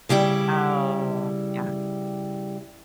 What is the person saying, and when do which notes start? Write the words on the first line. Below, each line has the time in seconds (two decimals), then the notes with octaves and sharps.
Oh, yeah.
0.09 C#3 G3 E4 G4